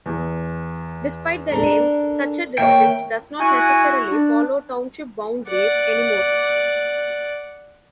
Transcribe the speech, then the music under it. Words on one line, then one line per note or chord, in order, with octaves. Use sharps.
Despite the name, such a district does not necessarily follow township boundaries anymore.
E2
D4 A4 A#4
D#3 A#3 C#5 E5 G5
E4 F#4 G#5
D4
D5 F#5